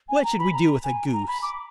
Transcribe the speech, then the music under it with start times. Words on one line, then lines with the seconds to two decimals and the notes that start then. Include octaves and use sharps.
What should we do with a goose?
0.09 G#5
0.23 A#5
0.38 B5
0.53 A#5
0.83 G#5
1.12 A#5
1.27 B5
1.42 D6